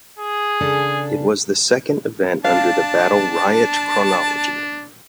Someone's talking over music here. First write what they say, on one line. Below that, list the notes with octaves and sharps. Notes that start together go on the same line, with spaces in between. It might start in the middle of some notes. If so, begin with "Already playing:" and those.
It was the second event under the Battle Riot chronology.
G#4
C#3 D4 A4
D4 F5 A5